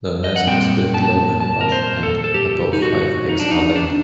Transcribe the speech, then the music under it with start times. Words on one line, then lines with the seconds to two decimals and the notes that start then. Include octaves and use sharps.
The nest is built low in a bush and about five eggs are laid.
0.24 D#5
0.36 F#5
0.47 A#2 G3 C4 G5
0.94 A5
1.40 A5
1.61 A#4
1.72 C5
2.03 A4
2.24 A4
2.34 G4
2.73 D#4
2.82 F#4
3.29 D#4
3.40 D4
3.51 D#4
3.76 D4